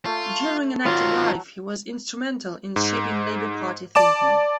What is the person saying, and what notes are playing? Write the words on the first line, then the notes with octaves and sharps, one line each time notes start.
During an active life he was instrumental in shaping Labour Party thinking.
A3 F4
D#3 F#3 C4 F4
G#2
D5 A5 D6 E7